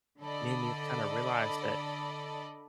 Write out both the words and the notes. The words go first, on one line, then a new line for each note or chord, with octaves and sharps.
made me kinda realize that
D3 A4 D5 D#5 B5